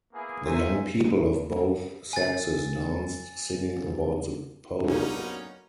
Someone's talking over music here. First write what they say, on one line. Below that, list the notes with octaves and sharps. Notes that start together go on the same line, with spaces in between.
The young people of both sexes danced singing about the pole.
A#3 B3 E4 G#4
A#4 C5 C#5 E5 G#5
G#5 A6
D3 F#3 A#3 B3 C#4 D#4